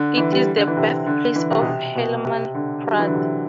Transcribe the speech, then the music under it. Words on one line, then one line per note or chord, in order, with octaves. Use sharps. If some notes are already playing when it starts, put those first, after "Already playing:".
It is the birthplace of Helaman Pratt.
Already playing: D3
E3
G3
D3
E3
C3
D3
E3
C3
B2
C3
B2
C3
D3
G3
F#3
E3
D3
C3